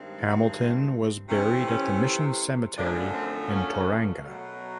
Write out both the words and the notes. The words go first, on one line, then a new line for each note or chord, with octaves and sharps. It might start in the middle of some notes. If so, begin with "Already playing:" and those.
Hamilton was buried at the Mission Cemetery in Tauranga.
Already playing: G2 D#3 G#3 C4
C3 E3 A3 C4 C#4
C#4
F#2 D3 F3 A3 D4
C4
C#4
B2 F#3 A3